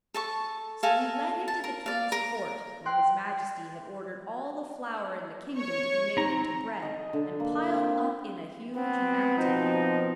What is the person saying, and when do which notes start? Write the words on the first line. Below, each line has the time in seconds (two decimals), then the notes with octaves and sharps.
So he led him to the king's court, where his majesty had ordered all the flour in the kingdom to be made into bread, and piled up in a huge mountain.
0.14 A4 A5 C#6
0.83 A4 F5 G#5 A#5
1.48 A5
1.64 A#4
1.86 D5 F5
2.12 A#4
2.85 G5 C6 F#6
5.56 C#5 C#6
6.17 C4 D#4 A#5
6.82 D#5
7.13 D3
7.40 A#3
7.73 C4
8.76 B3 C4
9.38 B2 F3 D#4